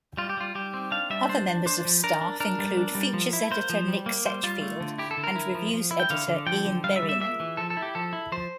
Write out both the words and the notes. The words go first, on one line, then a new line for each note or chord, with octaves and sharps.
Other members of staff include features editor Nick Setchfield and reviews editor Ian Berriman.
G3 F4
G4
G3 F4
G3 G4
C4
D4 F5
G3 E5
D4 C5
D4
D4 C5
F3
D4 A#4
D4
D4 A#4
G3
D4
G3
F3
E4
A#3 C5
F3
G3
A#3
G3 C5
G3 F4
A3
D3
E4 G4
A4
D3
A#4
E4
F3
F3
E4
G5
D3 F5
D3
F3 G5
D3
G3 F5
E5
G3
E5
A#3 E5
E3
F3 A4
A4
E4
G4
F3 A4
E4
F3 C5